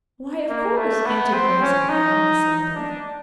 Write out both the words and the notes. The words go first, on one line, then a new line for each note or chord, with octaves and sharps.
"Why, of course," answered Grace and Anne in the same breath.
A#3
A3
B3
C4
C#4
D#4
D4